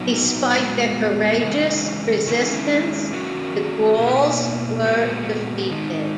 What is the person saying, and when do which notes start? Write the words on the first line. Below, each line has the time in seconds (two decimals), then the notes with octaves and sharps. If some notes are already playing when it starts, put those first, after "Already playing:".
Despite their courageous resistance, the Gauls were defeated.
Already playing: A#2 F#3 B3 D#4 F#4
0.55 A#2 G#3 B3 F#4
1.41 C#3 E3 G#3
2.27 D#3 G#3 C#4 E4
3.13 D#3 F#3 A#3 C#4 F#4
3.99 B2 A#3 E4
4.85 A#2 G#3 B3 F#4
5.71 D#3 G#3 D#4